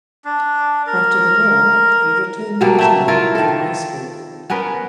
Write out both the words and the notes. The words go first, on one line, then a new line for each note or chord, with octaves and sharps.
After the war he returned to Italy for high school.
D4
A#4
B2 F#3 G3 A#3
A3 E5
E4 F4 A#4
D#3 A4
B3 C#4 A#4 B4